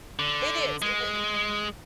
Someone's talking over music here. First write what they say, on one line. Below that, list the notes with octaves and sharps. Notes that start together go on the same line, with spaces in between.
It is, i
D3
G#3